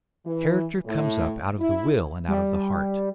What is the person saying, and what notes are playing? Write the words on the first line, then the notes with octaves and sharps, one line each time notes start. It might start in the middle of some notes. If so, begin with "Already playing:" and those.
Character comes up out of the will and out of the heart.
E3
A2
E4
G3